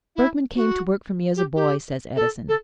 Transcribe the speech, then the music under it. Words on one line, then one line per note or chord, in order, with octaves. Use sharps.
"Bergmann came to work for me as a boy," says Edison.
E4
F#4
G4
G4
A4
A4